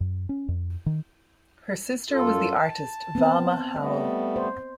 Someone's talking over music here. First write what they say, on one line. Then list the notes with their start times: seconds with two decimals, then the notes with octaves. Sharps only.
Her sister was the artist Valma Howell.
0.01 F#2
0.29 C#4
0.48 F2
0.86 D#3
2.09 F#2 F4 A4
2.57 A5
3.15 B3 C4
3.76 G3 A3 B3 D#5
4.36 C5